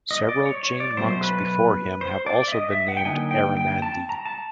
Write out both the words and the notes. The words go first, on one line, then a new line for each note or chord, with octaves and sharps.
Several Jain monks before him have also been named Aryanandi.
D#5
D5
C#5
C#5
D5
B2 F#3 A3 C#4 C5
B4
C5
D5
E5
D#5
E5
F#5
G5
D3 F#3 A#3 D#4 G#5
G5
G5
A5
A#5
A5